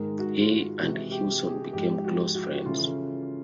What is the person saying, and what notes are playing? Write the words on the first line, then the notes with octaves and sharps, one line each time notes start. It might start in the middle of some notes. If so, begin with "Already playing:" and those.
He and Hewson became close friends.
Already playing: G#2 D#3 G#3 A#4
F#4
F4
F#4
C3 E3 G#3 F#4
G4
G#4
G#2 F3 G#3 G4
F#4
F#4
F#4
C#3 E3 A3 C#4 F4